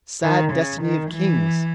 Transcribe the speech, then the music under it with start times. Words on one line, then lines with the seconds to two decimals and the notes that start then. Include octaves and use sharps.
Sad destiny of kings!
0.23 D#3
0.52 C#3
0.82 D#3
1.11 E3